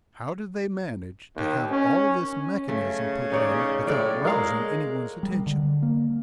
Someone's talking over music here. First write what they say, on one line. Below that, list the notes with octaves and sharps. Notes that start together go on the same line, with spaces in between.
How did they manage to have all this mechanism put in without rousing any one's attention?
D#2
C#4
C#3 A3
D#4 C#5 D5
A2 C#5 D5
G#3 A#4 F5
G3
D3
A#3